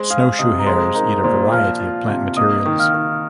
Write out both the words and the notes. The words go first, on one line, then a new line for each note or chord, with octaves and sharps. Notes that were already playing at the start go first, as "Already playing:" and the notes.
Snowshoe hares eat a variety of plant materials.
Already playing: G#3 C5 C6
G#4 F5 F6
C3 D#5 D#6
A#5
G#3 C5 C6
D#4 A#4 A#5
A#2 C5 C6
F3 F5 F6
F4
C3
A#3 D#5 D#6
D#3
F5 F6
D#3